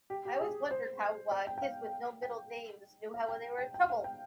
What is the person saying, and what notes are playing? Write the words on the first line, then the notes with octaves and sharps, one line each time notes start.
I always wondered how, uh, kids with no middle names knew how they were in trouble.
G4
G4
G#4
C5
D5
G5
G5
F5
G5
F5
G5
G5
G5
F5
G5